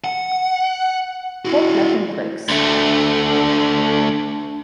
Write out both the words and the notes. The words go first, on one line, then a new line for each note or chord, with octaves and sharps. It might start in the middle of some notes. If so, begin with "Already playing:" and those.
Hot Latin Tracks.
F#5
E4 F#4
D2 A3 D4